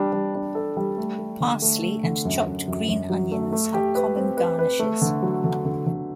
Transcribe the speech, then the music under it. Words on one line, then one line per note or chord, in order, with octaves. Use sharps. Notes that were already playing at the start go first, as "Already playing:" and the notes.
Parsley and chopped green onions are common garnishes.
Already playing: G3 D4
G3
D4
A4
G3
A3
A3
D3
A3
A3
D3
F#2
F#2
F#2
F#2
F#3
A3
A3
G4
B4
C4
B4
B4
A3
D3
F#3
D3
D3
D3